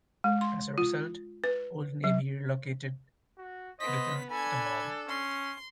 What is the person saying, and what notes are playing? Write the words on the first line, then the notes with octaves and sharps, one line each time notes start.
As a result, Old Navy relocated within the mall.
G#3
C6
F4
B4
F#3
F#4
B3 C5 D#5 B6
D4 A4 G#5 B5 G#6
C#4 C6